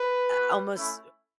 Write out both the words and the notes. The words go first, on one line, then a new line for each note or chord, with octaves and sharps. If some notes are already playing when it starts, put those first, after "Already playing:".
uh, almost,
Already playing: B4
B3 F#4
A3 C#4 E4